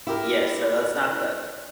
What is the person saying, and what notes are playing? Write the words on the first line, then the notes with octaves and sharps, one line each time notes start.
Yeah, so that's not the
E4 G4 A#4